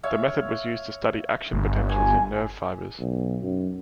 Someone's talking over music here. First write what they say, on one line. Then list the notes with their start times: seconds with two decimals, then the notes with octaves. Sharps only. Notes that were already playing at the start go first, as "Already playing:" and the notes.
The method was used to study action potentials in nerve fibers.
0.03 C#5 E5 F5
1.53 G1
1.89 G#5
2.99 B1
3.43 F#2